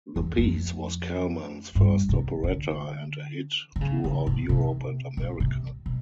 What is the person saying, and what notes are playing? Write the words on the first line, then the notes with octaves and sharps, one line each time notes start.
The piece was Kalman's first operetta and a hit throughout Europe and America.
E2
F2
G2
C3
D3
D3
C#3
C#3
C3
C3
B2
C3
B2